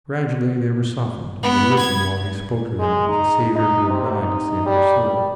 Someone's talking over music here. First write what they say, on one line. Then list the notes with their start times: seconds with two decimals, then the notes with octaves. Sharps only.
Gradually they were softened and would listen while he spoke to them of the Saviour who had died to save their souls.
1.42 B3
1.78 G#6
2.79 G#3
3.09 D#4
3.56 D#4
3.89 C3
4.22 D#4
4.66 G3
5.05 G3